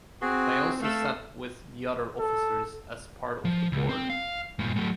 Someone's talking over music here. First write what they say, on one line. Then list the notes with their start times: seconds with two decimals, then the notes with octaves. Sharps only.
They also sat with the other officers as part of the board.
0.22 C4 F#4 G#4
0.82 A3 A4 F5
2.19 A4
3.45 F3
3.72 C#2
3.89 C4
4.10 F5
4.59 G2 A#2
4.76 F#3 A3